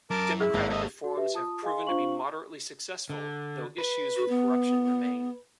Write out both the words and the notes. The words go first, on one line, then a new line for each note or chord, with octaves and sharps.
Democratic reforms have proven to be moderately successful, though issues with corruption remain.
F#2 A#4 A5 D6
E4 G#4
G#1 A#3
A#3 A4 D#5 E5
F#4
G4 B4 E5
F4 A5 D#6
G#4 D#5 F5 G#5 C6
D4 F4 C5 F5 C#6 F#7
D3
B4
F#4
B3